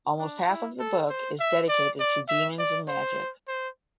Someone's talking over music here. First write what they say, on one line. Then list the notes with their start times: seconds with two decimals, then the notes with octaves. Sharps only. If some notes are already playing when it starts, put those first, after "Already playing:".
Almost half of the book is dedicated to demons and magic.
0.19 D4
0.49 E4
0.80 A4
1.09 C5
1.39 E5
1.68 D5
1.99 D5
2.28 E5
2.58 D5
2.88 C5
3.48 C5